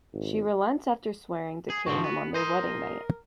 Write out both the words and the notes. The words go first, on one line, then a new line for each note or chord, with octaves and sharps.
She relents after swearing to kill him on their wedding night.
G#1
G#4
G#2 D3 F3 F#4
B3
A#4 C5 D#5